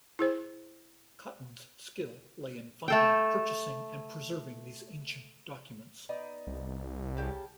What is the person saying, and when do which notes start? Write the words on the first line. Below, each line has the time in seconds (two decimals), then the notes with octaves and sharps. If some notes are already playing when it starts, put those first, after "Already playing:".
Cotton's skill lay in finding, purchasing and preserving these ancient documents.
0.19 E4 G#4 C5
2.88 A3 A4 G5
6.09 B3 D#4 D5
6.47 C2
7.17 C#3 G4 A5